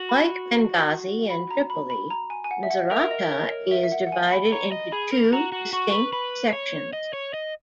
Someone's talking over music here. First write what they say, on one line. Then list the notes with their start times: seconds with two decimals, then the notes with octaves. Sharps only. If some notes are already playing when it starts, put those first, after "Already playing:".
Like Benghazi and Tripoli, Misurata is divided into two distinct sections.
Already playing: F#4
0.09 B5
1.30 B5
1.51 A#5
1.70 B5
1.90 B5
2.10 A#5
2.30 G#5
2.44 G#5
2.51 F#5
2.63 E5
2.70 F#5
2.91 A#4 E5
3.11 D#5
3.32 C#5
3.51 D#5
3.71 E5
3.83 E5
3.92 F#5
4.07 F#5
4.12 G#5
4.32 B5
4.52 C#5 A#5
4.72 D#5
4.92 G#4 B5
5.13 A#4
5.32 F#4 A#5
5.52 F#4
5.73 F#4 C#6
5.90 B4 C#6
6.13 B4 B5
6.53 C#5
6.93 D#5
7.13 C#5
7.34 D#5